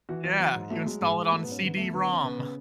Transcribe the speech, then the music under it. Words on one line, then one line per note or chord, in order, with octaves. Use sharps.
Yeah, you install it on CD-ROM.
E3 F#4
E3 F#4
F#3
G#2
F#3 A3
F#3 G#3
G#2 G#3
G#2
F#3 A3
B3
G#2
C#4
D3 B3
E2 A3
D3 B3
E2 C#4
C#3 B3
C#3